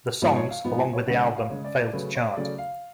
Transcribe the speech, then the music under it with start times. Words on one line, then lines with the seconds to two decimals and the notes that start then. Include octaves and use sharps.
The songs, along with the album, failed to chart.
0.22 G#2 F3 B3
0.36 C#5
0.50 F5
0.64 G#2 F3 B3
0.79 G#5
0.93 C#5
1.07 C#3 G#3 C#4 F#5
1.22 F#5
1.36 F5
1.50 C#3 G#3 C#4 C#5
1.65 D5
1.80 D5
1.93 C#3 F#3 A3 C#4 B4
2.15 C#5
2.36 C#3 F#3 A3 C#4 D5
2.58 F5